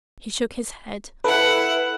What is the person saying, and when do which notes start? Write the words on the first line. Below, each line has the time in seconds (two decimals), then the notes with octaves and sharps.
He shook his head.
1.24 E4 A4 B4 F#5